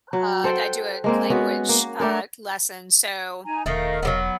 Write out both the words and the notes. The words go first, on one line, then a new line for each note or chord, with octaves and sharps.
Uh, du I do a language, uh, lesson, so,
F#3
A4 C5 F#5 G5
G#3 A#3 C4
G#3 B3 C#4 F#4
A#3
A3 D4 A4 A#4
D#4 G#5 A#5
E1 D#3 A3 A#4 D#5 F5
E1 F#3 G3 B3